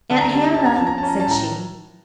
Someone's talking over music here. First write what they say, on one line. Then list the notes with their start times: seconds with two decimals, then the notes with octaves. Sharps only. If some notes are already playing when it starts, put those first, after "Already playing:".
"Aunt Hannah?" said she.
0.10 D3 A5
0.21 A#5
0.33 G3 A5
0.43 A#5
0.54 C#4 A5
0.66 A#5
0.76 F3 A5
0.87 A#5
0.98 C#4 A5
1.09 A#5
1.20 A5
1.25 A2
1.31 A#5